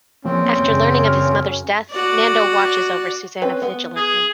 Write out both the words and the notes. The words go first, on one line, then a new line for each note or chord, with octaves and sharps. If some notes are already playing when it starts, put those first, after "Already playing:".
After learning of his mother's death, Nando watches over Susana vigilantly.
E2 F3 A#3 C4 C#4
F#2 C#3 G6
F6
F#4 D5
C4 C#4 B4
B3
G#4